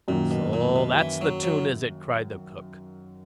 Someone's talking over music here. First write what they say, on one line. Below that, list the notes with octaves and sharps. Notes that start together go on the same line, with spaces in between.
"So that's the toon, is it?" cried the cook.
F#2 A#2 D#3 A#3
B2
A#2
B2
E3
F#3
F#3